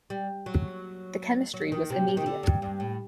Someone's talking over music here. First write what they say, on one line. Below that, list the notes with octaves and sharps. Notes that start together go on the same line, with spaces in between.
The chemistry was immediate.
G3
F#3
F#3
D#3
C3
C3
D#3
D3
G2
G2
A2